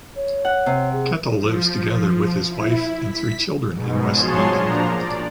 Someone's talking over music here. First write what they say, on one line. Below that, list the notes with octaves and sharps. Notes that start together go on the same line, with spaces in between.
Kettle lives together with his wife and three children in West London.
C#5
F#5
C3
G#4
F3
E4
B6
G#2 B2
F3 F#3 G#4 C#5 A5 C6
A#2 F3 D4 A#5
D5